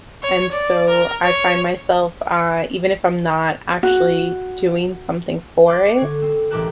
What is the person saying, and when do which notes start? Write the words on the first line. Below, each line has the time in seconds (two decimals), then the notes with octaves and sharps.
And, so, I find myself, uh even if I'm not actually doing something for it
0.23 C#5
0.52 D5
0.89 A#4
1.24 C#5
3.83 F#4
5.67 C6 D6 F#6 G6 A6
5.98 D3 C#5
6.22 C4
6.50 E1 A1 G4 A#4 A5 F#6